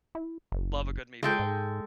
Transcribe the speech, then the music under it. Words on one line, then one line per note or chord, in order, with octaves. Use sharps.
Love a good meatball.
E4
F#1
G#3 F4 A4 G5
G#2